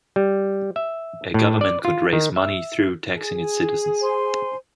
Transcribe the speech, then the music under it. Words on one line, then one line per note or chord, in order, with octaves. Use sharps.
A government could raise money through taxing its citizens.
G3
E5
A2
D5
F4
D#3
E5
G#4
C5 G#5 C6